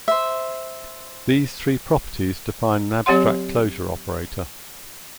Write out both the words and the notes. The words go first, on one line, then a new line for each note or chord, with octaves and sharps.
These three properties define an abstract closure operator.
C5 E5
F#3 C4 G4 C#5 F#5 C6